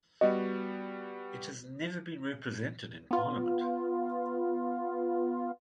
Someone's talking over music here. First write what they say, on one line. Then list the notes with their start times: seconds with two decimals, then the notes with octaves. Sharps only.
It has never been represented in parliament.
0.21 G3 B3 F#4 D#5
3.11 B3 F4